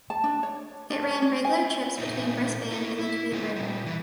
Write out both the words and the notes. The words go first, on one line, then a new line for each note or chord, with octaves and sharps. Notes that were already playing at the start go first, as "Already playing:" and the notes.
It ran regular trips between Brisbane and the Tweed River.
A5
D4
C#5
D4
C#4
G#5
A#2 A3 C4 D#4
E4 A4
E4
D3 G#3 A#3 F4 G#4 C5
A#2 G3
E3